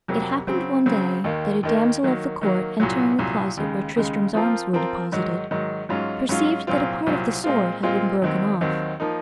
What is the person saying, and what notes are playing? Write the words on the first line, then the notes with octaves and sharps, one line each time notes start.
It happened one day that a damsel of the court, entering the closet where Tristram's arms were deposited, perceived that a part of the sword had been broken off.
F2 C3 F#3 A#3
C#3 F#3 C4
C#3 F#3 C4
D#2 D#3 A#3
D#2 D#3 A#3
D#3 F#3 A#3
D#3 F#3 A#3
C2 A#2 F#3
C2 A#2 F#3
D#2 C#3 G#3
D#2 C#3 G#3
F3 C4 F4 A#4
F3 C4 F4 A#4
G#2 D#3 F#3
G#2 D#3 F#3
G#2 F#3 C#4 F4
G#2 F#3 C#4 F4
C2 A#2 F#3 C4 F4
C2 A#2 F#3 C4 F4
A#2 G#3 C4 F4
A#2 G#3 C4 F4
D#2 D#3 F#3 C4
D#2 D#3 F#3 C4
F3 A#3 D#4